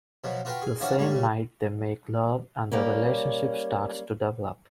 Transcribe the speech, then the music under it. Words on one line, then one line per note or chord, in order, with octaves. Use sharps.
The same night they make love and their relationship starts to develop.
B2 F3 F#3
F4 F#4 A#4 B4 F5 G5
G#4
E3 F3 C#4 D4 F4 F#4
G#2 G3 A#3 C#5
C#3 G3
G3 A#3 C#4